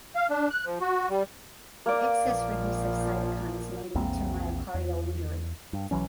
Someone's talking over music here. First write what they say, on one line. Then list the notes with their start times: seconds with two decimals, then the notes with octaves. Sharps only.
This excess release of cytokines may lead to myocardial injury.
0.16 F5
0.29 D4
0.50 F#6
0.65 F3
0.81 F#4
1.10 G3
1.86 A#3 D5
2.25 A#1 F3
3.95 A#1 E2 A#3 C4
4.74 E2
5.73 G2
5.91 B1 E3 F#3 C#4